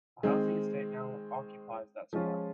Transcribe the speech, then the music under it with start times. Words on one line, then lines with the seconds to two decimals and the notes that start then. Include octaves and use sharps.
A housing estate now occupies that spot.
0.23 D#3 G#3 C4
2.13 F3 G#3 C#4 F4